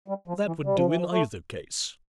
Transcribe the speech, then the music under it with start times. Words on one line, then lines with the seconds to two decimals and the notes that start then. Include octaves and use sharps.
That would do in either case.'
0.08 G3
0.28 F3
0.46 E3
0.65 G3
0.75 F3
0.87 E3
0.97 F3
1.11 A3